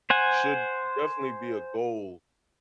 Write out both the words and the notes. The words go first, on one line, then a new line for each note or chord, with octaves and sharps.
should definitely be a goal
C5 F#5 G#5